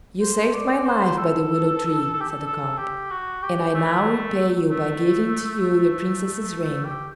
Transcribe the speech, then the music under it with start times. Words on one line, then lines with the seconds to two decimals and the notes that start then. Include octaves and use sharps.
"You saved my life by the willow-tree," said the carp, "and I now repay you by giving to you the Princess's ring."
0.21 C5
0.54 D5
0.86 C5
1.17 A4
2.13 A4
2.21 G4
2.29 A4
2.46 A4
2.78 G4
3.10 F#4
3.43 G4
3.74 A3
4.71 A3
6.63 A3
6.85 G4